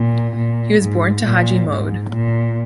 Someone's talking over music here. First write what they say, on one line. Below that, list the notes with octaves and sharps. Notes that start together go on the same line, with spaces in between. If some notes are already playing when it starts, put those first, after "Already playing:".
He was born to Haji Mohd.
Already playing: A#2
A#2
G#2
A#2
G#2
A#2